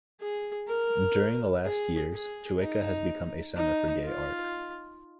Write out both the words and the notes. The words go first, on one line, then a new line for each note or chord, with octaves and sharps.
During the last years Chueca has become a center for gay art.
G#4
A#4
G#4
G#4
D#4
D#4
F4